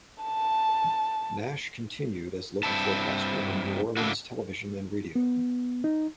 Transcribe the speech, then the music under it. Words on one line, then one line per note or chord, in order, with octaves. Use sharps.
Nash continued as a local forecaster on New Orleans television and radio.
A5
G2 C4 E4 A5
C#3 A3 A#3 D4 E4 F#4
B3
D#4